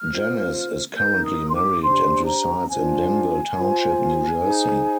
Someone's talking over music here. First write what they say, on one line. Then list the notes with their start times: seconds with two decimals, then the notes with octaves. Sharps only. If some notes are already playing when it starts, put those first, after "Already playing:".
Janice is currently married and resides in Denville Township, New Jersey.
Already playing: F6
0.11 F4 C5
0.97 D#4 A#4 G6
1.26 D#6
1.50 C6
1.55 D6
1.83 D4 G4 C5 C6
2.26 A#5
2.70 D4 F4 C5 G#5
3.56 F4 C5
4.42 D#4 G#4 C5